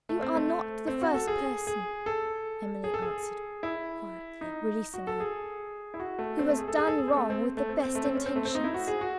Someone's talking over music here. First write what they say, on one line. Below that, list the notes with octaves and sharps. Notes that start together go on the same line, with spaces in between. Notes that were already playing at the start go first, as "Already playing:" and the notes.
"You are not the first person," Emily answered, quietly releasing her, "who has done wrong with the best intentions."
A3
C4
A3
C4
F#4
A4
G#4
G#4
A4
G#4
A4
G#4
E4
D#4
F#4
A4
G#4
E4
F#4
A3
C4
A3
G#4
A4
G#4
A4
G#4
C4
A3
C4
A3
C4
C4
A3
C4
C#4
C4
A3
C4
D#4
E4
F#4
G#4
F#4